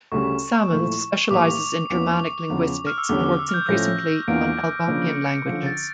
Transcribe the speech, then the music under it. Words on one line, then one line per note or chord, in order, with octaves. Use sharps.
Salmons specializes in Germanic linguistics and works increasingly on Algonquian languages.
D2 C#3 G3 C#6
A#2 F3 A3 E4
A2 E3 G3 A#3 D6
E2 E3 A#3 C#4 D6
E2 C#3 F3
F6
E6
E2 D3 G3 C#4 D6
D6
E6
F6
G6
A2 F3 A3 C#4 A#6
E2 E3 A#3 D4 F4 D7
C#3 F3 A#3 D4
C#7
C#7
D3 F3 C#4 F4
A6